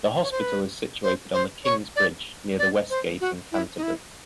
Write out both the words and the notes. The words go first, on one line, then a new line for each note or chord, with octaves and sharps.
The hospital is situated on the King's-bridge, near the Westgate, in Canterbury.
C#5
C5
B4
C5
C5
C#5
D5
D5
C5
F#4
E4
D#4
E4